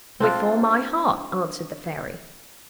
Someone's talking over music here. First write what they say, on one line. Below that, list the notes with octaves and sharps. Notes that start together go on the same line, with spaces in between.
"With all my heart," answered the fairy.
C4 D4 F4